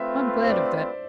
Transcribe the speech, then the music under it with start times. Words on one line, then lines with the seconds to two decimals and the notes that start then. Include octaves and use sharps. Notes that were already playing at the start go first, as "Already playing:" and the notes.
'I'm glad of that.
Already playing: A3 C4 F4 B4 E5
0.44 C5
0.50 D5